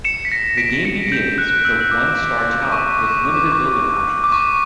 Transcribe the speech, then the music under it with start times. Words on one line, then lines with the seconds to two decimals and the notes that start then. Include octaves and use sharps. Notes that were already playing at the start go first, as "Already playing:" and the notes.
The game begins with a one-star tower with limited building options.
0.05 C#7 E7
0.25 B6
0.31 A#6 C#7
0.57 B6 D7
0.85 A#6 C#7
1.12 G6
1.38 F#6
1.53 F#6
1.65 E6
1.81 E6
1.91 D6
2.65 D6
2.72 C#6
2.98 D6
3.25 D6
3.52 C#6
4.24 D6
4.32 C#6